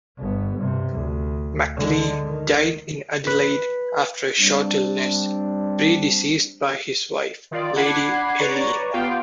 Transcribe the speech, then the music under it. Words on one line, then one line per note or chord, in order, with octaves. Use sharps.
McLeay died in Adelaide after a short illness, predeceased by his wife, Lady Eileen.
G1 B3
G2 C3
D2
D3 G#3
D#3
B4
G3 C4 D4
D#3 F4 D5
D4 F#5 B5 D6 G#6 C7
B4 C#5 D5 A#5 C#6
B3 F4 G4 F5 G5